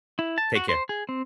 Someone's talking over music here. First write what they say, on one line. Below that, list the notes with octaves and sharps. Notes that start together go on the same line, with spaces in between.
Take care.
E4
A5
F#4
C5
G#4
C4